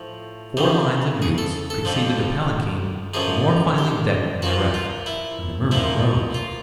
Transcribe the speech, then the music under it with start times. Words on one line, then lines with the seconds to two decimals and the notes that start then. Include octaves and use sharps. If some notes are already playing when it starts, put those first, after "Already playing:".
Four lines of youths preceded a palanquin more finely decked than the rest, and the murmur rose.
Already playing: A2 F3
0.57 F2 C#3 E3 G4
1.22 G#4
1.38 A4
1.70 A4
1.85 F2 D3 F3
3.14 F#2 D3 F3 G#4
3.78 G4
4.42 A#2 F3 F#4
4.74 F4
5.06 E4
5.71 A#2 F3 E4
6.35 F4